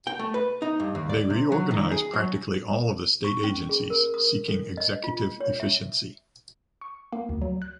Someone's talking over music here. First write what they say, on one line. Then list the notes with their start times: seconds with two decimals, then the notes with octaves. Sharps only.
They reorganized practically all of the State Agencies, seeking executive efficiency.
0.07 G5
0.19 A3
0.34 B4
0.62 D#4
0.80 G2
0.95 D#2
1.09 D5
1.30 C3
1.52 F#3
1.71 D#3
1.91 G#4
2.14 F#3
3.24 C#6
3.44 C#4
3.69 G#4
3.90 A#4
4.14 D#6
4.48 A4
4.77 D#5
5.04 F4
5.40 C#5
5.60 E5
6.81 C#6
7.13 A#3
7.29 D2
7.42 F#3
7.62 F#6